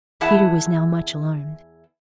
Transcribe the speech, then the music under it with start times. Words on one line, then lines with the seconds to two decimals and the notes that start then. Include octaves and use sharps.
Peter was now much alarmed.
0.21 E2 E4 G#4 F#5 A5